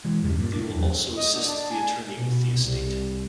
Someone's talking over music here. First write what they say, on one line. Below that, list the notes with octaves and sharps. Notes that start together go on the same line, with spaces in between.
They will also assist the attorney with the estate.
E3 G#3
G1 E2 C#3 G3
G2 A#2
D4
E2 F#3
D#5
D3
D4
G#5
B2
C2